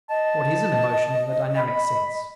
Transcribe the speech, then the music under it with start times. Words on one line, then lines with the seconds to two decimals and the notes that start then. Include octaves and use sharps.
What is an emotion in the dynamic sense?
0.10 D#5 A5
1.56 B5